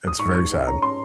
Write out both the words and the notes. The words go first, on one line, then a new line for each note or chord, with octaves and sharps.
It's very sad.
D#6
G#2 C#6
G#2 C#6
G#2
C#4 A#5
C#4 C6